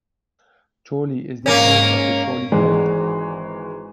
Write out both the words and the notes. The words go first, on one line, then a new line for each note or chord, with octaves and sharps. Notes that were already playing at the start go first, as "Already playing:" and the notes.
Chorley is the home of the Chorley cake.
G#2 A#3 C#4
G#1 E3 G#3